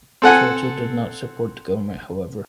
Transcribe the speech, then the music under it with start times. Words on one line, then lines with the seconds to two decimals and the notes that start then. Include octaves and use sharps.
Churchill did not support the government, however.
0.22 C4 A4 F#5 G#5